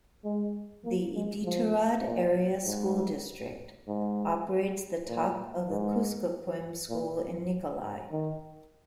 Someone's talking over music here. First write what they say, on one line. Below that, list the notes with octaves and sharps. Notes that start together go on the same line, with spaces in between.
The Iditarod Area School District operates the Top of the Kuskokwim School in Nikolai.
G#3
A#3
G#3
F3
A#2
G#2
G#2
A#2
G#2
A#2
D#3